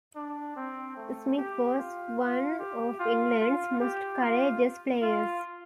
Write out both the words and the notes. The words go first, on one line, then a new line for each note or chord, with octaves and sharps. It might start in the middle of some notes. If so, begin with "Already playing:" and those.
Smith was one of England's most courageous players.
D4
C4
A3
G4
F4
F4
G4
F4
F4
G4
F4
F4